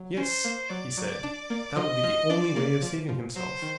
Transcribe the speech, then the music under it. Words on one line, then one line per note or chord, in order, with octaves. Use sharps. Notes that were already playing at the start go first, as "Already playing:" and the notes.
Yes, he said, that will be the only way of saving himself.
Already playing: F#3
C#4 C5
A#3
F#3 D5
F#3
D4
A#3
F3 D#5
F3
D4 D5
A#3
F3
F3
F#3 C5
D#3